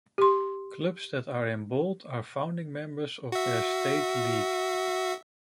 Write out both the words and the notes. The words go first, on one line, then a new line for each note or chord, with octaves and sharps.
Clubs that are in bold are founding members of their state league.
G4 C6
F#4 E5